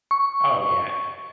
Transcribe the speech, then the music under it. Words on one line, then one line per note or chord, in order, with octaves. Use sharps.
Oh, yeah.
C#6